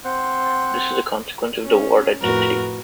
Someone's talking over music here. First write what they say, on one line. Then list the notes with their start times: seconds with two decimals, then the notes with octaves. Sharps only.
This is a consequence of the Ward identity.
0.05 C4 C5 F#5
1.62 C#4
2.21 F2 A2 F#4 A#4 B4